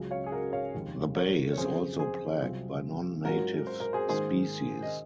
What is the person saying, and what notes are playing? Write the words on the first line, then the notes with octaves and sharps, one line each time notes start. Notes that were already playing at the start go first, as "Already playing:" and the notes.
The Bay is also plagued by non-native species.
Already playing: C#2 C#3 F#3 C#4 F4
C#5 F5
G#4
F#4 A#4
C#5 F5
F1 D#2 D#3 G#3
A#4 C#5
C#5
F#2 C#3 F3 C4 F4 G#4 C5
G#4 C5
C2 C3 F#3 C4 F4
G#2 F#3 C#4 F4 F#4 A#4
C5
A#4
G#4 C5
G#2 D#3 A#3 D#4 G#4 C5
D#5